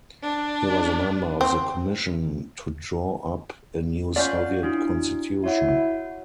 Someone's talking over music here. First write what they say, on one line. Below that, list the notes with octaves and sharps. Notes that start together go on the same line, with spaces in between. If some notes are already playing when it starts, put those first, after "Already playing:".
He was a member of the commission to draw up a new Soviet constitution.
D4
C4
C#4 F4 D5 F#5 G6
D4 E4 F#4
E4 F#4 C#5 F#5